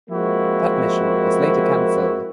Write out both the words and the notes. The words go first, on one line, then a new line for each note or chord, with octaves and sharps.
That mission was later canceled.
F3 G#3 A#3 C4 E4 F#4